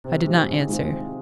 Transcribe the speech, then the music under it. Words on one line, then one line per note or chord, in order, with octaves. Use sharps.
I did not answer.
C3
D#3 G#3 C4 F4
C3
D#3 G#3 C4 F4
C3